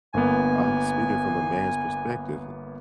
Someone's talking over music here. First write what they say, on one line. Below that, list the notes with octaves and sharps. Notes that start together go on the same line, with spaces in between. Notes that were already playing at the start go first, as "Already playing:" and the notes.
I'm speaking from a man's perspective.
G1 A#3 B3 G#5